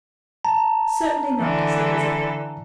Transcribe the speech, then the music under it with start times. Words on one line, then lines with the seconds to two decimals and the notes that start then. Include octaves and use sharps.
"Certainly not," said Lizzie.
0.45 A5 A#5
1.40 D3 E3 A4